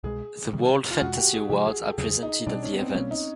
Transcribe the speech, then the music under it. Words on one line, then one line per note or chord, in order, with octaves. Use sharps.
The World Fantasy Awards are presented at the event.
C2 B2 G#3 G#4
C3 D#3 G3
F4
E2 B2 G#3 F#4
G4
G#4
C3 F3 G#3 G4
G#4
A4
E2 C#3 F#3 G#4
D#4
B2 G3 C4 D4
C#4
B3
C4
C4
B2 G3 A#3 C#4
D#4